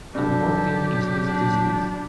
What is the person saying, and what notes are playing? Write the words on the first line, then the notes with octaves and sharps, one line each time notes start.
'And what then is his disease?'
G2 F#3 G4 A4
D4